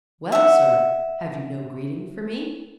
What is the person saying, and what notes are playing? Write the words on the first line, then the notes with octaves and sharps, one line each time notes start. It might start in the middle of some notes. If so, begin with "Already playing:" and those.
"Well, sir--have you no greeting for me?"
E5 F#5